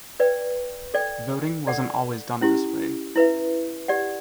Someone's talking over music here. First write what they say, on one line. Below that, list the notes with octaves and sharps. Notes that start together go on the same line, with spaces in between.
Voting wasn't always done this way.
B4 D5 G5
A4 D5 G5
A4 D5 F#5
C#4 E4 G4
E4 B4 E5
G4 D5 F#5